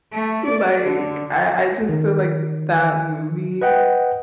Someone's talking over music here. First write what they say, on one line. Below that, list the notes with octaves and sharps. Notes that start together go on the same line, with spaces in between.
Like, I I just feel like that movie
A3
D5
D3
D#3
B4 D#5 F#5 G5